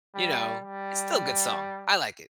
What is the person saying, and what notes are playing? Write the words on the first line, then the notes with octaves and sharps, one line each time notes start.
you know, it's still a good song. I like it.
G3
G3